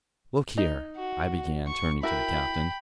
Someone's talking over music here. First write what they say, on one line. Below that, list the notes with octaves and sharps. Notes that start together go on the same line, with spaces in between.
"Look here," I began, turning to the captain.
D#4
F#4
C#6
E4 F#4 A#4 G5 B5